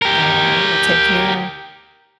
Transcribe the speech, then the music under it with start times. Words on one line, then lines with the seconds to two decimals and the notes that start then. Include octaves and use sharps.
Alright. Well, take care.
0.02 G4 A#4